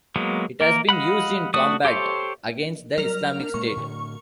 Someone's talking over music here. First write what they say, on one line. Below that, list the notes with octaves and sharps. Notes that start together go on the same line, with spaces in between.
It has been used in combat against the Islamic State.
F#3 G#3 A#3 B3
A#3 A#4
D#5 F5 F#5 B5
A3 F#4 D5 D#6
G4 A4 C5 C#5
F#3 G3 A#4 F6 F7
D4
A#2 G#3 A#3 C#6
A2 D3